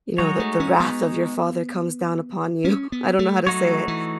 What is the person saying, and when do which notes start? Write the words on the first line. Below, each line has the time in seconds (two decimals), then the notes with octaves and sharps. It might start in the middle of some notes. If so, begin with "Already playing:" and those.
you know, the the wrath of your father comes down upon you, I don't know how to say it,
0.18 F#3 G#3 D#4 F#4 C#5
0.39 A3
0.60 C#4
0.80 B3
2.65 C#4
2.92 B3
3.19 A3
3.47 F#3 A3 D#4 F#4 C#5
3.88 E3